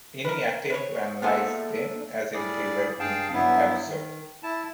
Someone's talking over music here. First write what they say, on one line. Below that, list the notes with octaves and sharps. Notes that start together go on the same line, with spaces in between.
Any attempt to analyse them as if they were would be absurd.
A#4 B4
B4 C#5
A#2 B3 F4 G#4 A4 E5
A2 G3 G#4 D5
G2 G#4 F5 G5 A5
G2 F#3 B3 E4
D#3
E4 A5